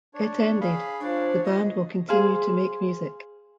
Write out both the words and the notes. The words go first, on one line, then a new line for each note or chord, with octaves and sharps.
It ended: The band will continue to make music.
D4 C#5
G#4 F5 B5
F3 D4 C#5
D#5
G#4 C5 F5